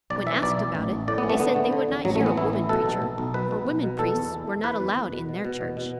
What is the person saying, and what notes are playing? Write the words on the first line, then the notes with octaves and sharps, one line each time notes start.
When asked about it, they said they would not hear a woman preacher, for women priests were not allowed in their church.
B1 D5
E3 E5
B1 D5
E3
A1
A1
A2 D5
B3
E3
A3
D3 B3
D3
D3
E2
A1 F#3
A3
E3
B3
A1 E4
E3
B2 A4
B1
B1
B1
B2 B4
B1
B1
B2
E2 A4
E2
E3
E3
E2 B4
E2
E2
B2
B2
B2
E2
B2